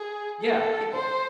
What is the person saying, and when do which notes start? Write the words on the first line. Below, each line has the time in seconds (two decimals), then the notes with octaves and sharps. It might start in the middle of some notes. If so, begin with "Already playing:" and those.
Yeah, people,
Already playing: G#4
0.41 A4
0.95 C5